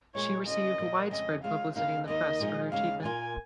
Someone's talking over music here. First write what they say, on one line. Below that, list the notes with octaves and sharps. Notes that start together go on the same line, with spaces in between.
She received widespread publicity in the press for her achievement.
A#2 G#3 F4 C#5
C#3 A#3 C#4 F4 D#5
A#2 F3 A#3
F2 C#3 G#3 D#5
C#3 G#3 F4 F5
D#2 C#3 A#3 D#4 F5
D#2 D#3 A#3 D#4 D#5
A#2 F3 G#3 D#4
D#2 C#3 G#3 F5
A#2 A#3 F4 G#5